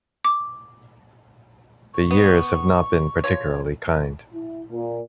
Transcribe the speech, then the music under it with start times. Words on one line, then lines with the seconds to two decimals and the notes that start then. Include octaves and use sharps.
The years have not been particularly kind.
0.25 D6
1.94 C#6
2.11 B3
3.24 F3 C#5
4.33 E4
4.71 A#2